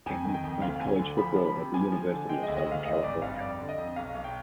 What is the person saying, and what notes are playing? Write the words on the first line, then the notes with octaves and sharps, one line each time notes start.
Katnik played college football at the University of Southern California.
F2 G#5
D#3
G5
F2
D2 F5
D2 G#5
D3
F3 B5
F3
B5
C3
F3 G#5
F3
D3
G#3 G5
D#5
D2
D#5
D2
F5
G3 D#5
G#1 D5
G2 F5
F2 D5
D3
D#5
F2
B1 F5
B1
G5